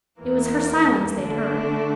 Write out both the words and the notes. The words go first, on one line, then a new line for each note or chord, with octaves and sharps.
It was her silence they had heard.
E2 E3 A#3
D3 A3 D4